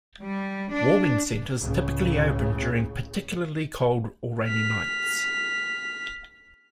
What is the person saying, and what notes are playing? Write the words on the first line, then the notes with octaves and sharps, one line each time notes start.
Warming centers typically open during particularly cold or rainy nights.
G3
D4
C#2 A2 C#3
F6 B6